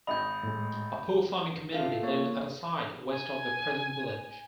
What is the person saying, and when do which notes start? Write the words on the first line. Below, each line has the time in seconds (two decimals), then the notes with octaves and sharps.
A poor farming community lived at a site west of the present village.
0.07 G#1 D#5 B5 G6
0.43 A2 G#3
1.72 A3 F4
2.03 A#3 C#5
3.09 G#5